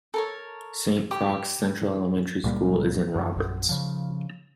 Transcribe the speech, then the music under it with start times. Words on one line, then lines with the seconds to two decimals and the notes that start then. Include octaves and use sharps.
Saint Croix Central Elementary School is in Roberts.
0.14 A4 A#4 C#5
1.11 G4
2.44 C#2 A#2 G3 A#3
3.16 F#2
3.36 A#1 F#2
3.69 C#3 F3